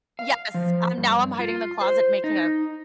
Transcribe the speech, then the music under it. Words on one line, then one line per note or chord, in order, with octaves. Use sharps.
Yes, I'm now I'm hiding in the closet making a
F5
F3
G2
F4
C5
D#4